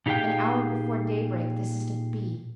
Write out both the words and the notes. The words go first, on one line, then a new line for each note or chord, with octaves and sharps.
An hour before daybreak this is to be.
A#2 D#4 G4 G#4 F5 G5